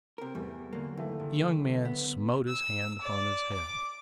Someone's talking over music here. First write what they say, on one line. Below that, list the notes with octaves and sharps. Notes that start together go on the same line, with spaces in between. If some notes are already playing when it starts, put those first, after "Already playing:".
The young man smote his hand upon his head.
C3 A#4
E2 G3 A3
D3 F#3 A#3
D#2 E3 A3
F#1
B3
E6
D5
D6